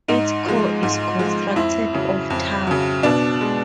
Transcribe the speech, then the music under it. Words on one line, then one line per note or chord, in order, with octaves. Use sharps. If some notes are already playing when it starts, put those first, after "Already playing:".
Its core is constructed of tuff.
G#2 D#4
F3 G#3
G#2
F3 G#3
F2 E4
C#3 F#3
F2
C#3 F#3
B2 D4
G#3